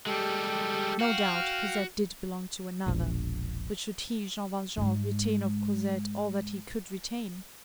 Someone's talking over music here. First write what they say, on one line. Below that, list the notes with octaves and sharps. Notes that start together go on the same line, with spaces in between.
No doubt, Cosette did belong to another; but should he, Jean Valjean, retain of Cosette all that he could retain?
G3 G#3 G4 A4
F#4 F5 G5 F6
E1 A#1
G#2 G#3